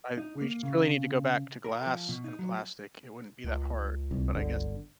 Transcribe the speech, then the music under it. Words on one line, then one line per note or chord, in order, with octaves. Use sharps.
I we just really need to go back to glass and plastic. It wouldn't be that hard, but I guess
D#4
A#3
C#3
A#4
F3
B2
D#4
F#3
C#2
C2
G1 D3